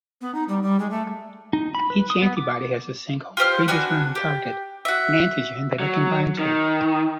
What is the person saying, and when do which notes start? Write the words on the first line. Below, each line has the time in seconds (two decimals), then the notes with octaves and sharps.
Each antibody has a single predetermined target, an antigen, that it can bind to.
0.21 B3
0.34 D#4
0.48 G3
0.62 G3
0.79 G#3
0.91 A3
1.53 D#4
1.75 B5
1.90 B4
2.10 D#6
2.22 B3
2.37 D6
3.37 F4 G4 C5 F6
3.68 B3 D4 F#4 G#5
4.15 G4
4.85 F#4 E5
5.80 F#3
6.39 D#3